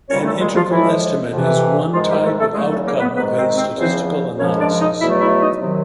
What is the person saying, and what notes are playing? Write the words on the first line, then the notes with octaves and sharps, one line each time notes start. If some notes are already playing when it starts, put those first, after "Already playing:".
An interval estimate is one type of outcome of a statistical analysis.
C2 A#2 G3 C#4 C#5
A3 A4
G#3 G#4
F3 F4
A2 E3 F3 G#3 E4
F2 C3 E3
G#2 D#3 F3 G#3 F4
G3 G4
A3 A4
A3 A4
E2 C#3 F#3 G#3 A3 G#4
A3 A4
A#3 A#4
B3 B4
G#2 D#3 G#3 B3 B4
C4 C5
C4 C5
E2 C#3 F3 C4 C5
F#2 C#3 F3 G#3 C#4 C#5
D4 D5
D#4 D#5
E2 B2 F#3 A3 E4 E5
E4 E5
D#4 D#5
C3 D#3 F#3